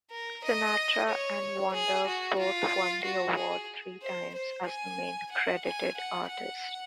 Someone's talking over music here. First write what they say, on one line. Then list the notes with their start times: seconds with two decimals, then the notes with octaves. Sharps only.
Sinatra and Wonder both won the award three times as the main credited artist.
0.11 A#4
0.44 D#5
1.08 C#5
1.73 G#4
2.06 F#4
2.39 F4
3.03 F#4
3.36 G#4
4.02 C5
4.34 C5
4.66 G#5
5.32 F#5
5.65 G#5
5.97 F#5
6.29 F#5